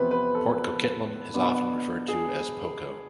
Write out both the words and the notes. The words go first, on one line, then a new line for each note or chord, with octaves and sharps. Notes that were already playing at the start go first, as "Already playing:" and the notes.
Port Coquitlam is often referred to as PoCo.
Already playing: E2 C3 F3 B3 B4
B4
A4
B2 B3 D4
G#4